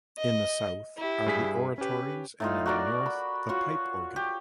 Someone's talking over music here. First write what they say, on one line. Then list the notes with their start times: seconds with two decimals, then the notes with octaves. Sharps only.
In the south are the oratories and in the north the pipe organ.
0.18 D#5
0.97 E4 G4
1.26 G2 G#4 B6
1.78 C#4 G4 B4
2.40 A2 D#4 F4
2.66 F#4 A#4 D5
3.06 B5
3.49 F4 F#4 C#5
4.16 G4